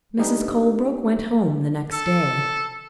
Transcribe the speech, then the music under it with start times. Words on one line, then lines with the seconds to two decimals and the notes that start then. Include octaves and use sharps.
Mrs. Colebrook went home the next day.
0.18 G3 A3 B3 D4 D#4 G4
1.92 A4